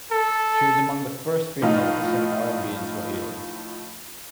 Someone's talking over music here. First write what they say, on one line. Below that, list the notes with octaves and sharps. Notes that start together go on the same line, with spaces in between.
She was among the first females to sing R and B in Swahili.
A4
A2 F3 D#4 F4